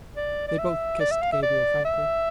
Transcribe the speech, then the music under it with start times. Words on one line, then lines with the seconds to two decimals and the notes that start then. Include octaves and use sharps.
They both kissed Gabriel frankly.
0.17 D5
0.48 D5
0.59 E5
1.00 D5
1.11 E5
1.22 F5
1.32 E5
1.42 D5
1.85 E5